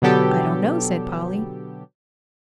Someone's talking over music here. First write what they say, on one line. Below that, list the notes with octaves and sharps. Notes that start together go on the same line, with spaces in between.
"I don't know," said Polly.
B2 D3 F#3 B3 G4 A4